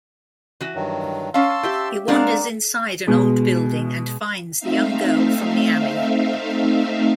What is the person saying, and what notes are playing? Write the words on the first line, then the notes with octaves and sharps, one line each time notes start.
He wanders inside an old building and finds the young girl from the alley.
E3 F#4
G2 D#3 F#3
C#4 F5 A5 C6 E6
G4 E5 G5
G#3 C4 D4 A#4 D5 F5 F#5
B2 G#3
A3 C4 D#4 E5 F5